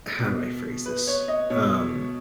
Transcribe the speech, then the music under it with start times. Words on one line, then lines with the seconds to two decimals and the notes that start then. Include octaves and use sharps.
How do I phrase this? Um,
0.21 B2
0.86 B4
1.07 C#5
1.28 D#5
1.50 B2 C#5